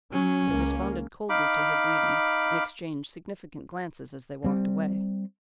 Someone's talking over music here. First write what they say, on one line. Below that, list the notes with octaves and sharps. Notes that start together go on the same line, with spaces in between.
They responded coldly to her greeting and exchanged significant glances as they walked away.
F#3 C#4
C#2 A#3
D#4 F5 B5 D6
G3 C4